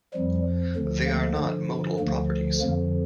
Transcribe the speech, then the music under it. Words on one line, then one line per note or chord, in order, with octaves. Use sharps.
They are not modal properties.
F2 F3 G3
D2 D3 F3
A#3
G2 D3 F3
D2 D3 F3 A#3
F2 D3 F3 A#3